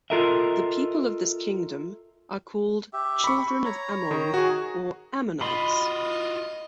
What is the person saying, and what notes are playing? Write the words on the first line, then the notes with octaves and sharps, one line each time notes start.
The people of this kingdom are called "Children of Ammon" or "Ammonites".
F4 A4 A#4 D#5 E5
G4 E5
B5 C#6
C#5 A#5
D#3
F#4 G#4
F4 F#4 D#5 B5 C6